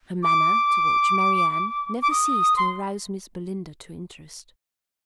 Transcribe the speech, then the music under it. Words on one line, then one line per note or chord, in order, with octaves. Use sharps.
Her manner toward Mary Anne never ceased to arouse Miss Belinda to interest.
D6
D6
D#6
C6